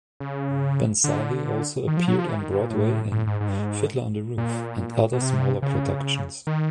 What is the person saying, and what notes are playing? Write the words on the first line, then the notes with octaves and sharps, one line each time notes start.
Benzali also appeared on Broadway in "Fiddler on the Roof" and other smaller productions.
C#3
D3
D#3
F3
F#3
F3
E3
D#3
D3
A#2
A2
A2
G#2
G#2
G2
G#2
A#2
B2
C3
C#3
D#3